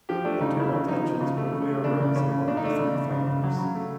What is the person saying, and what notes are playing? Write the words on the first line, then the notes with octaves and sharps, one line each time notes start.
Internal tensions quickly arose among the three founders.
F3 G4
A3 D4
C#3 D#4
C#3 E4
C#3
F3 D#4
F3
C#3
A3
C#3
A3
C#3 D4
C#3
C#3 C#4
C#3
C#3 D4
D#4
A3 D4
C#3
C#3
C#3
C#3
F#3
C#3
A3